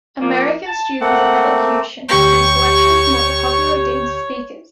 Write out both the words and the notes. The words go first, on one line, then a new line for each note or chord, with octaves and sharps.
American students of elocution drew selections from what were popularly deemed Speakers.
F3 A#3 D4
A5
A3 A#3 C4 F#5
D2 G4 C#5 C#6 G6